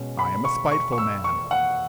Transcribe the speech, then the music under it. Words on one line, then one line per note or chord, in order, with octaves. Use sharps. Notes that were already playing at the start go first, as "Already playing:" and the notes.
I am a spiteful man.
Already playing: B2 G#3 C#4
B5
C#6
C#6
C#6
E6
C#6
F#5